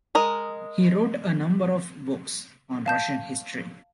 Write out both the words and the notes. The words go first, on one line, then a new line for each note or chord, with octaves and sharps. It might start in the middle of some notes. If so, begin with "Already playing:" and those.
He wrote a number of books on Russian history.
G#3 A#4 D#5
F5 A5 G6